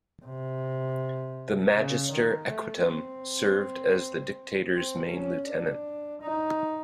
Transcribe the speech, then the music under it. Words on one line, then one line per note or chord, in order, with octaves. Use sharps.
The Magister Equitum served as the Dictator's main lieutenant.
C3
C#3
D#3
A3
C4
C4
C#4
D4
D#4